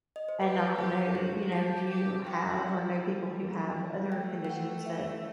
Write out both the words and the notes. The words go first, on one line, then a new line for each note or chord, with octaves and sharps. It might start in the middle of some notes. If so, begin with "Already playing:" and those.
And I don't know, you know, if you have or know people who have other conditions that
D#5
C5
G4 B4
G4 C5
F#4 C5
G4 A5
G4
F#4 G5
E4
G3
A3
G3
A3 G5
G5
F#5
E5